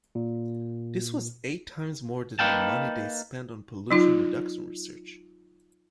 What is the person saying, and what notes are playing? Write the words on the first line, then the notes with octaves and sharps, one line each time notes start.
This was eight times more than the money they spent on pollution reduction research.
A#2
A#3 D#4 B4 F5 G5 A5
F#3 D#4 F4